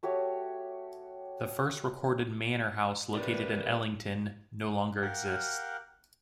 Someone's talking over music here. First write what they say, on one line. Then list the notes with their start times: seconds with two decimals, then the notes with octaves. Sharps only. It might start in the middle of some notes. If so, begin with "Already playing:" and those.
The first recorded manor house located in Ellington no longer exists.
0.03 A3 F#4 G4 C#5
3.14 G4 A#4 B4 D5
5.02 G4 A#4 F5 F#5